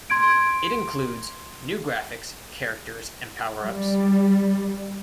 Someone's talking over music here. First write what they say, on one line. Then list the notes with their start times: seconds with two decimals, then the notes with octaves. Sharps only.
It includes "new graphics, characters and power-ups".
0.10 C6 G#6 D7
3.62 G3